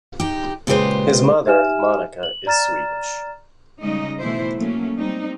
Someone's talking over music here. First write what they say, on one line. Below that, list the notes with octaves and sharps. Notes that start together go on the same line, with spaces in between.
His mother, Monica, is Swedish.
D#4 G4
A#2 C#3 G#3 G4 B4 C5
D#4 G4 E5 G#5 F6 E7
F#7
D5 A#5 F6 A6 E7
C#3 G3 G#3 D#4 D#5
B2 E3 A3 E4 C5
F#3 A3 A#3 C#4
G3 C4 D#4